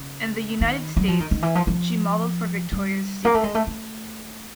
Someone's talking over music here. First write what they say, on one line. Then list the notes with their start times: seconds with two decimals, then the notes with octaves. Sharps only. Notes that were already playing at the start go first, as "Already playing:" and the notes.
In the United States, she modeled for Victoria's Secret.
Already playing: C#3
0.61 D#3
0.97 F#3
1.08 F3
1.20 D#3
1.31 D#3
1.43 E3
1.55 F3
1.67 F3
2.72 G3
3.25 A#3
3.34 A3
3.43 G#3
3.55 A3
3.67 A3